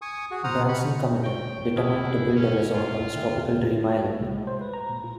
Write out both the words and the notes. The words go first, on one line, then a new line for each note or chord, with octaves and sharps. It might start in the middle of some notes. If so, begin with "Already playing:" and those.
Branson committed, determined to build a resort on his tropical dream island.
G#5 C#6 D#6
F#4 G#4
C5 F#5 A#5 D#6 F6
B5 C#6
C#5 G5 C#6
E4 G4 G#4 D#6 F6
F#5
C#4
F4
D3 E5 G5
F#4
C2
G#3
C5
B4
A#5
A#2
F4